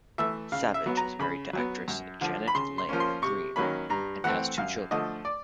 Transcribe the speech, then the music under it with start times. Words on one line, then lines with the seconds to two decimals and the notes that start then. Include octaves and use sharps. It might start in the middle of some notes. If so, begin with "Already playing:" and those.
Savage is married to actress Janet-Laine Green, and has two children.
0.18 E3 A3 E5
0.52 C#3 F5
0.74 E5
0.86 F#3 B3
0.97 A#5
1.19 C#3 B5
1.53 F#3 B3
1.88 F#2
2.21 D3 F3
2.48 B5
2.55 C#3 C6
2.78 C6
2.89 F3 A#3 C#4
3.00 C6
3.22 C3 C#6
3.56 D#3 F#3 A#3 C#4 B5
3.90 G2 A#5
4.24 E3 A3 C4 F#5
4.58 F#2 F5
4.91 D3 F3 A3 D#5
5.25 D5